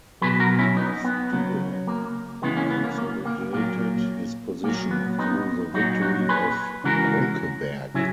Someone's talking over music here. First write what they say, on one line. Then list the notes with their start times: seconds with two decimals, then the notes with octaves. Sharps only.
Sture consolidated his position through the victory of Brunkeberg.
0.22 B2 F#3 G#4 B4
0.40 F#4 A#4
0.58 C#4 E4
0.77 B3 D#4
1.04 B3
1.32 C#3 F#3
1.87 A#3
2.42 C#3 E3 G#3 B3
2.56 A#3 C#4
2.70 B3
2.84 A#3
2.98 A#3
3.26 A#3
3.53 A#2 F#3 A#3
4.63 A#2 A#3
4.68 F#3
4.91 B3
5.19 B3 D#4
5.74 A#2 F#3 D#4 F#4
6.01 D#4 F#4
6.29 G#4 B4
6.84 C#3 E3 G#3 F#4 A#4
7.94 C#3 F#3 E4 G#4